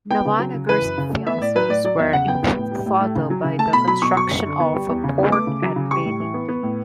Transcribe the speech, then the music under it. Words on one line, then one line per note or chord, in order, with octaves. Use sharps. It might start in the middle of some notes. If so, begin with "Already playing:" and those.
Nawanagar's finances were improved further by the construction of a port at Bedi.
B3 G5
C#3
F#3
C#3
E3 B4
F#2
C#3
A3
B3 E5
A2 D5
F#3 B4
A2 D5
F#3 D5
E2 E5
C#3 F#5
B3 G5
B3
A2
G3
A2
A3
C#3
F#3
C#3
A3 A5
B2 B5
F#3 B5
B2 C#6
F#3 C#6
F#2
D3
B3
G3
E2
C#3
B3
A3 D6
C#3
F#3
C#3
G3 C#6
A2
E3
B3
B3
A2